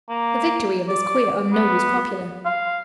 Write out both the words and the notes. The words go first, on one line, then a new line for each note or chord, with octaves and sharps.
The victory of this queer unknown was popular.
A#3
D5
B3
F5